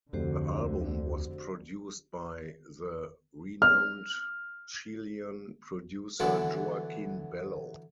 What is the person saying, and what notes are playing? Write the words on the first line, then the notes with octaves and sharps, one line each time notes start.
The album was produced by the renowned Chilean producer Joakin Bello.
F1 D2 D3 F#4 G4 C5
F6
D3 E3 F#3 B3 D4